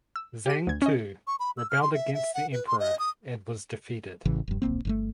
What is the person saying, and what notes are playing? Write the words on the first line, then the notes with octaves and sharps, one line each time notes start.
Zang Tu rebelled against the Emperor and was defeated.
E6
G4 D#7
D2 G#6
C#4 D#5
C#6
B5
E6
F6
C6
E5
E5
F#5
B4
C6
D#5
D#6
A1 C#3 E3
F1 G2
D1 A#1 A#3 C4
G1 C#3 A3